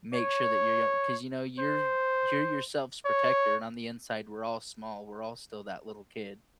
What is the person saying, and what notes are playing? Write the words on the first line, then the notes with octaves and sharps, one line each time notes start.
make sure that you're young 'cause, you know, you're you're yourself's protector, and on the inside, we're all small we're all still that little kid.
C#5
C5
C#5